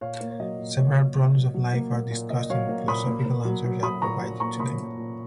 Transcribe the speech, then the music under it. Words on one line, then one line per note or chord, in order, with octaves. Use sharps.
Several problems of life are discussed and philosophical answers are provided to them.
A#2 C#5 F5
A#3
C#5
F#3 D#5
A#2
A#2 C#5
F#3
A#2
F#3
F#3
A#3
A#3
A#2
A#2 D#5
F#3 C#5 F5
A#3
A#2 B5 D#6
A#3
A#3
F#3
F#3
F#3 B5 D#6
A#2 A#5 C#6
F#3
A#3 A#5 C#6
A#3 B5 D#6
A#3
A#2